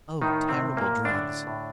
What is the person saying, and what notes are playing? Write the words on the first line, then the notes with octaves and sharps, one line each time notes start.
"Oh! terrible drugs."
A2 D#3 D#4
C3 C4
A2
A#2 A#3
A2 D3 D4
A2